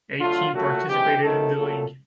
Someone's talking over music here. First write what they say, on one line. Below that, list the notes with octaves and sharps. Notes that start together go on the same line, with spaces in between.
Eight teams participated in the league.
D3 F#3 A3 F4
A#2 F#3 A3 F#4
C3 E3 G#3 G4
C3 D#3 F#3 A3 A4
A#2 F#3 A3